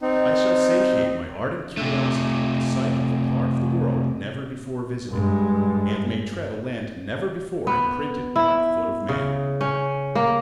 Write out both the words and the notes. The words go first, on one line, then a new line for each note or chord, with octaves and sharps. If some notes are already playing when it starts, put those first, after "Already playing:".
I shall satiate my ardent curiosity with the sight of a part of the world never before visited, and may tread a land never before imprinted by the foot of man.
C4 D#4
C3 A3
G2 G#3
B3
E4
C#3
C#4
A#3